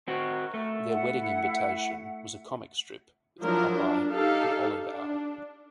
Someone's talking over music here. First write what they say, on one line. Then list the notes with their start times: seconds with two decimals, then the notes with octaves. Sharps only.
Their wedding invitation was a comic strip with Popeye and Olive Oyl.
0.08 C4 F#4 A#4 C#6
0.54 A3
0.89 E4 E5 F#5
3.42 F3 F#3 D4 E4 A#4
3.75 D4
4.12 D#4 G4 A4 F5
4.84 D4